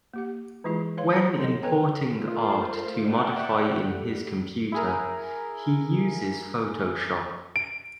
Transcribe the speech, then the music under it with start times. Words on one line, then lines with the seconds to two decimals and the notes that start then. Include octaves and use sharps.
When importing art to modify in his computer, he uses Photoshop.
0.14 A#3 G4 F#5
0.64 E3 G#3 E4 F4 G#4
0.97 B4 C#5 F5 C6
1.39 F#3 B3 A4 D#5
1.62 A4 B4 C#5 G5 G#5 A#5
2.15 A3 F4 A#4 C5
3.09 D5 E5 F#5 G5
3.86 G3 A3
4.72 E4 G#4 A#4
7.56 D7